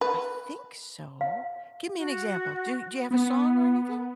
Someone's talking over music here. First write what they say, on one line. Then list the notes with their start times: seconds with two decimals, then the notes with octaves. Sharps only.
I think so. Give me an example, do do you have a song or anything?
0.01 B4
1.21 F5
1.97 F#4
3.11 B3